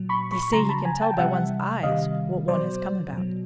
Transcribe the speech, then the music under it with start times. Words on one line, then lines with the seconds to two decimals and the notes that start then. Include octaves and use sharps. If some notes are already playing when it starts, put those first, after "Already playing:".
They say he can tell by one's eyes what one has come about.
Already playing: A#2 F#3
0.09 B5 C#6
0.32 B5 C#6
0.42 C#6
0.53 C#3 F#3 A#5 C6
0.69 A5 B5
0.85 G#5 A#5
1.02 G5 A5
1.14 G5
1.18 C3 E3 G3 E5 F#5
1.83 C3 D#3 G3 D#5 F5
2.48 B2 F#3 C5 D5
3.13 B2 F#3